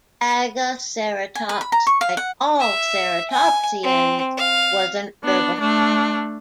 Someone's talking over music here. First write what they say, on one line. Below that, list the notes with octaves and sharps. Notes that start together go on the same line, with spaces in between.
"Bagaceratops", like all ceratopsians, was a herbivore.
G#5
B4
B5
A#5
C#6
F5
F#5
E5
G#5
C4
F5
B3 D4
A3 D4